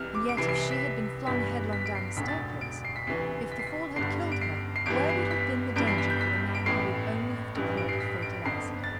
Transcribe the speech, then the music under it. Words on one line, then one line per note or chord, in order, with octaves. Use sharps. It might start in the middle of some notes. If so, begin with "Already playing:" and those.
And yet, if she had been flung headlong down the staircase, if the fall had killed her, where would have been the danger for the man who would only have deplored a fatal accident.
Already playing: C2 C3 E3 F6
D6
D7
C2 C3 E3 C7
C7
B6
G1 G2 E3 B6
B6
D7
C7
E1 D2 D3 B6
A6
D7
C7
B6
D2 C3 E3 C7
B6
C7
B6
G1 G2 D3 C7
D7
C7
C7
G1 G2 E3 D7
C7
B6
G1 G2 E3 D7
C7
B6
G6
B6
D7
A1 A2 E3 C7
A1 G2 E3
D7
C7
B6
D7
G1 F2 D3 C7
A6